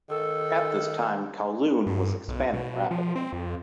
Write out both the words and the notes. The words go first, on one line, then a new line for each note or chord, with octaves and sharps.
At this time Kowloon was expanding rapidly.
D#3 A4
G2
B1
B2
F3
C4
F2